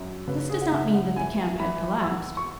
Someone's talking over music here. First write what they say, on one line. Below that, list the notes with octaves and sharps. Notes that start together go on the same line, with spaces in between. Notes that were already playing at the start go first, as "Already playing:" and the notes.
This does not mean that the camp had collapsed.
Already playing: F#2
C#3 B4
G#4
F#5
C#3 E5
F#5
E3 G#5
E3 B5
E2 E6
C#6